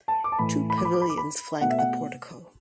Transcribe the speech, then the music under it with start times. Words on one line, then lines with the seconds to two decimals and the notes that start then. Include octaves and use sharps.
Two pavilions flank the portico.
0.08 A5
0.24 D6
0.32 A5
0.39 A2 E3 A3 B5
0.70 B5
0.78 D6
0.85 B5
0.93 D6
1.02 B5
1.10 D6
1.18 B5
1.61 B2 A3 F#5
1.70 E5
1.79 F#5